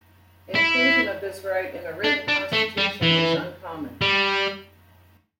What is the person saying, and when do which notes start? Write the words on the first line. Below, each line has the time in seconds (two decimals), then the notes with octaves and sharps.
Inclusion of this right in a written constitution is uncommon.
0.55 E4
2.04 D4
2.28 D4
2.53 A3
2.77 G3
3.03 E3
4.02 G3